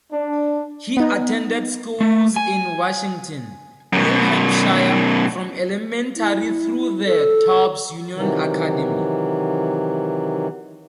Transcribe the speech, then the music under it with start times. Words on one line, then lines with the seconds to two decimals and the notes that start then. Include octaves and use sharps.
He attended schools in Washington, New Hampshire, from elementary through the Tubbs Union Academy.
0.13 D4
0.97 B3 D#4
2.01 A3
2.36 G#5
3.93 F#2 B2
6.16 E4
7.06 A4
8.16 C3 D#3 E3 F#3